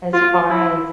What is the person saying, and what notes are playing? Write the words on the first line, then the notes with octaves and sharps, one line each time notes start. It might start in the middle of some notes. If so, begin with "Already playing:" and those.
as far as
F4
E4